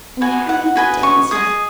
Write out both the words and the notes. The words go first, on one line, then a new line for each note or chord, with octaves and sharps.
And how he dances.
F#4 B4 D#5 G#5
F#5
F#4 B4 D#5 G#5
C#6
G#4 D#5 D#6